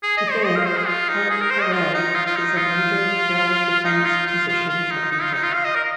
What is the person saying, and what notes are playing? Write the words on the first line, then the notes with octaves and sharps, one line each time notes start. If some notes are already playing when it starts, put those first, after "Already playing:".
Today Port Fouad is a major Air Defence Position for Egypt.
G#4
D#5
C5
D#5
F5
C5
G#4
F4
D#4
G#4
A#4
C5
D#5
F4
D#4
F4
F4
D#4
F4
D#4
F4
F4
F4
F4
D#4
D#4
F4
D#4
F4
F5
D#5
A#4